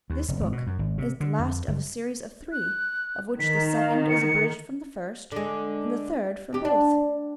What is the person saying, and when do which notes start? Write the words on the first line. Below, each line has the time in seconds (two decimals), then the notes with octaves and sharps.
This book is the last of a series of three, of which the second is abridged from the first, and the third from both.
0.10 D#2
0.28 F1
0.40 G#1
0.52 B2
0.67 F#2
0.79 G#1
0.98 C3
1.20 D3
1.39 F2
1.68 F#1
2.52 F#6
3.40 D#3 B6
3.77 F5
4.10 C#7
5.32 D3 G#3
6.53 D2 G4
6.65 D4